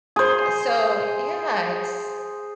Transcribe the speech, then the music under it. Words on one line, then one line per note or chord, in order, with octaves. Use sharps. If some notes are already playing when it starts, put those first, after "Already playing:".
Uh, so, yeah, it's
G#4 C5